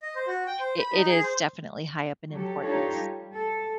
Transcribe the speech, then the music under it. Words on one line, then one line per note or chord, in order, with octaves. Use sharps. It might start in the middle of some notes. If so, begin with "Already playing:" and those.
it it is definitely high up in importance.
D#5
C5
F#4
G5
C5
B5
D#4
G#4
C5
F#3 G4 A4
D4 D#4 F4 G4 A4 C#5
G3
A4